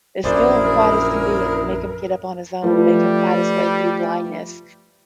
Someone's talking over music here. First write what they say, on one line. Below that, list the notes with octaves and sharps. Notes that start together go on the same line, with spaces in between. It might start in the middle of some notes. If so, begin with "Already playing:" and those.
as still and quiet as can be and make him get up on his own, make him fight his way through blindness,
A#1 F#2 E4 G#4 A#4 C5 D5
F3 G3 A3 B4